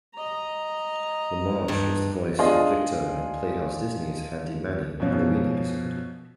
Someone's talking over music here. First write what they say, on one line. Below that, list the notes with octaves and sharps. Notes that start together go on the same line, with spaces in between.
LaMarche was the voice of Victor in Playhouse Disney's "Handy Manny" Halloween episode.
D#5 A#5
G2
D4 F4 G#4 D#5
F#2 B2 F3 C#4